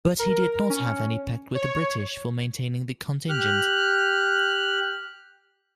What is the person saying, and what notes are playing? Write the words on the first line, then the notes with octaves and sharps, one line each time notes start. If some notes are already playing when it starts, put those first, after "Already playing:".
But he did not have any pact with the British for maintaining the contingent.
A#4
C#4
C#5
G4 F6 F#6